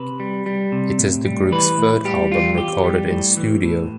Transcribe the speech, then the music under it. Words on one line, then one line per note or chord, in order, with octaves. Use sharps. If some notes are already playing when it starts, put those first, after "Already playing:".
It is the group’s third album recorded in studio.
Already playing: C3 B4
G3
G3
C3
A2
G3
E3 B4
A2
G3 G4
E2 F4
E2 G4
G3
A2
E3
A2